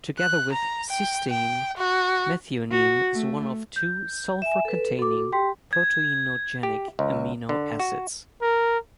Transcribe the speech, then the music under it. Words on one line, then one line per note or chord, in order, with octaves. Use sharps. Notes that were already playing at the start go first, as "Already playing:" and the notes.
Together with cysteine, methionine is one of two sulfur-containing proteinogenic amino acids.
F#6
A#5
G5
G5
F#4
F#4
A3
G6
E5 G#5 E7
A4 B4
F#4 A4 D6
G4 G5 C6 B6
G#6
G4
C#2
D3
F#4
A#4